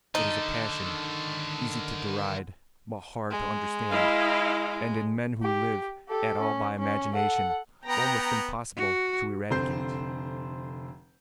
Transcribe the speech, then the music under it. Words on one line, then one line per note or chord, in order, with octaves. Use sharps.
It is a passion easy to deride but hard to understand, and in men who live at all by imagination almost impossible to eradicate.
D3 D#3 D#4 A4
G#3
E4 D#5 F5
G4
G4 A4
C#4
C#4
A4 F#5
B3 G5 A#5
F#4
F1 D3 C4 C5 G6 C7